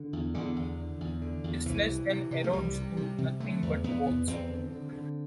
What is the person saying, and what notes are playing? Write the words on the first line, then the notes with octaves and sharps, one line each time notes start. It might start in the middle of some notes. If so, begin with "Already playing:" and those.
His flesh then erodes to nothing but bones.
Already playing: D3
E2
E2 D3
E2
D3
E2
D3
E2
C2 E3
C3
C3
C3
A3
C2 G3
C3
C3
C3
D3 A3
E2
E2 B3
E2
E2 C4
D3
D3
D3